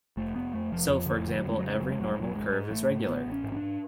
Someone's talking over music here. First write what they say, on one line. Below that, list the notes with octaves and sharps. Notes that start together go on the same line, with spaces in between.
So, for example, every normal curve is regular.
F1 A3
F1 B3
F2 A3
F1 F3
F2 F3
F1 D3
F3
D3
F#3
F2 G#3
C#3 F#3
G#3
F1 F#3
G#3
F1 F#3
G#3
F1 F#3
A1 G#3
G#2
A1 A3
G#2
A1 B3
A1
C#4
G#2
C#4
D4
G#2